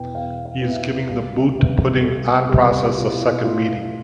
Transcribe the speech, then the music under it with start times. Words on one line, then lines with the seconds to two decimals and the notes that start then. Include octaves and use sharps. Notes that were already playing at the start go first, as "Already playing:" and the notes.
He is giving the boot-putting-on process a second meaning.
Already playing: E2 B2 B3 E4 G5
0.14 E2 F5
0.45 F5
0.61 B2 B3 E4
0.69 E5
0.77 F5
1.09 C2 F5
1.55 C3 G3 B3
2.02 C2 A4
2.49 C3 G3 B3 G4
2.97 B2 F4
3.09 E4
3.21 F4
3.44 A3 E4 F4